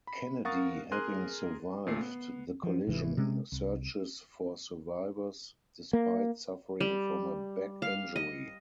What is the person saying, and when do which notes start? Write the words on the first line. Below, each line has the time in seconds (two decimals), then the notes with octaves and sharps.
Kennedy, having survived the collision, searches for survivors, despite suffering from a back injury.
0.07 B5
0.45 A#4 F5 F#5 C#6 D#6 A6
0.91 G#4 A#4 C6 F#6 D#7
1.87 A#2 A3 C7
2.01 B3
2.63 F3
2.87 G#1 C3 E3
3.17 C3 G#3 C#4
3.52 C2
5.93 A#3
6.80 G3
7.82 F5
8.16 D#5